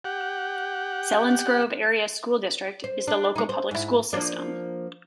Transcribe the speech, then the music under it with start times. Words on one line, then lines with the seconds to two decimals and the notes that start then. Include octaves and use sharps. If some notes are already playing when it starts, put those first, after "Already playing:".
Selinsgrove Area School District is the local public school system.
0.04 G4 F#5
2.84 C5
3.07 D4
3.36 G#3 D#4
3.49 C5
3.71 G#2 E4
4.13 F3 A#3 D4